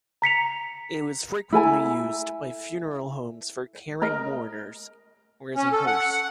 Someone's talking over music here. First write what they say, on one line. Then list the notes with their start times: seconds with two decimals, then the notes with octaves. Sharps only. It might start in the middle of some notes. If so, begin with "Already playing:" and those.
It was frequently used by funeral homes for carrying mourners or as a hearse.
0.22 A#5 B6 C#7 F7
1.52 E4 A4 G#5 A#5
4.02 A#4 D#5 A#5
5.55 C#4
5.72 A4
5.86 F#5
6.11 F#5